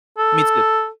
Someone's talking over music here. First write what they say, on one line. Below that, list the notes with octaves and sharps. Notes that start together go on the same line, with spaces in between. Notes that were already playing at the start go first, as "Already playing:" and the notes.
Me too.
A4